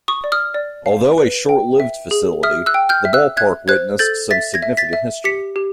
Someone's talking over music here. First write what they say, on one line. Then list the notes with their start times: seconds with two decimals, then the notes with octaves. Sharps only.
Although a short-lived facility, the ballpark witnessed some significant history.
0.08 C#6 D#6
0.24 D5
0.32 D#6 F6
0.54 D5
0.86 F5
1.18 B4
1.49 G5
1.80 E5
2.11 G#4
2.43 E5 D#6 F6
2.66 E6 F#6
2.74 G5
2.89 F6 G6
3.05 E5
3.13 E6 F#6
3.37 E5 F#6 G#6
3.68 C5 F#6 G#6
3.99 A4 G6 A6
4.31 E5 A6 B6
4.54 G#6 A#6
4.62 E5
4.77 A6 B6
4.93 E5
5.24 G4 B6 C#7
5.56 G4